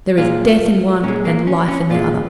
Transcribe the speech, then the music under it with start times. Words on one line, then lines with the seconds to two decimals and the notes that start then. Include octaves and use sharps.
There is death in one and life in the other.
0.18 A#2 G#3 F4
1.03 A#2 G#3 C#4
1.25 A#3
1.47 C#4
1.68 C#4
1.90 A#2 G#3 F4